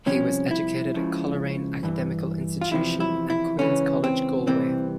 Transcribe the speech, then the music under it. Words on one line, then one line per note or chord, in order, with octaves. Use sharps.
He was educated at Coleraine Academical Institution and Queens College Galway.
C2 C3 F3 C#4
E4
C#2 C#3 F3
G2 E3
F4
E2 C3 F3 E4
E4
E4
C#2 C#3 E3 C#4
C4
C2 C3 E3 C4